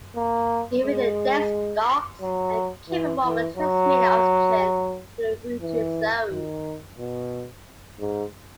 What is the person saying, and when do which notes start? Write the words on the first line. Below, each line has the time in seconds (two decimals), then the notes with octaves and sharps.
Even the dead stalks are capable of transmitting oxygen to the rooting zone.
0.16 A#3
0.84 G#3
2.21 F#3
2.89 E3
3.23 E3
3.57 F#3
5.61 E3
6.30 D#3
6.98 B2
8.00 G#2